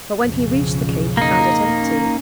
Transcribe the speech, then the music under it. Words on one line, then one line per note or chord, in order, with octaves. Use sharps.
But when he reached the cave he found it empty.
B1 F2 C#3
A#3 D#4
C#4